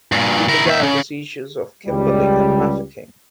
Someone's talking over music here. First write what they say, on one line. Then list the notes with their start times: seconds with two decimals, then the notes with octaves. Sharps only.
He began the sieges of Kimberley and Mafeking.
0.12 G2 A#2
0.49 E4 A#4
0.66 D#2 E5
0.83 C#3
1.87 C#2 G3